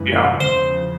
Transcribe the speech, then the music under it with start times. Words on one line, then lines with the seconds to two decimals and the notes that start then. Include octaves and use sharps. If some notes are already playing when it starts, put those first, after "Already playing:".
yeah, um
Already playing: F#2 C#3 E3 G#3 B4
0.40 E2 C#3 F3 C5